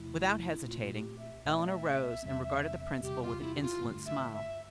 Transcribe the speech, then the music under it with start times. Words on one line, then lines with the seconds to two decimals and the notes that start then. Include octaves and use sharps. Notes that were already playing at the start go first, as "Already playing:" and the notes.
Without hesitating, Eleanor rose and regarded the principal with an insolent smile.
Already playing: E2 C3 F3 A3 E4
0.66 C2 A#2 A3 C4 F4
0.81 F4
0.92 G4
1.19 E5
1.45 C2 A#2 A3 C4 E5
1.56 D5
1.66 E5
2.23 E2 C3 G3 C4
3.02 E2 C3 G3 C4 G4
3.22 F4
3.41 E4
3.55 G4
3.61 F4
3.81 G2 D3 A3
4.06 E5
4.33 E5